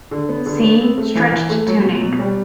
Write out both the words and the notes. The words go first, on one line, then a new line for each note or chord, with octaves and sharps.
See: stretched tuning.
D3
B3
D3
B3
C4
A3
E3
E3
A3
F#3
B2
B2
G3